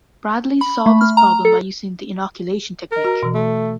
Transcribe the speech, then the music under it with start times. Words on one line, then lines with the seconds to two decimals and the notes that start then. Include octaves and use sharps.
Bradley solved this problem by using the inoculation technique.
0.61 B5
0.86 A3
1.01 F6
1.17 A#5
1.45 A4
2.92 A#4 D#5 F6
3.05 F#4 A#5
3.23 B2 E3
3.34 A3